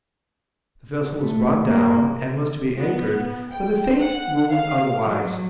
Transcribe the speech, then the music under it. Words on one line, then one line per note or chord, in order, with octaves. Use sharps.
The vessel was brought down, and was to be anchored, but the Fates ruled otherwise.
A3
A#3
B3
G5
F#5
F5
F#3